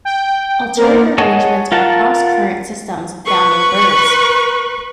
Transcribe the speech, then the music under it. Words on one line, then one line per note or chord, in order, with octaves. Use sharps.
Alternative arrangements are cross current systems found in birds.
G5
A#3 B3 A#4 C5 D5
G#4 C#5 D#5 F#5 A5
F4 A#4 F#5 A5
B4 C#6